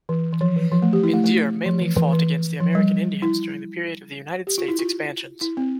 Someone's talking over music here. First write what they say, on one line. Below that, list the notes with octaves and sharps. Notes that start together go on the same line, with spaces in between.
Bendire mainly fought against American Indians during the periods of the United States' expansions.
E3
E3
F3
E3
F3
A3
G4
E4
A3
A3
F3
E3
E3
E3
F3
G3
E4
G4
F4
E4
F4
E4
C4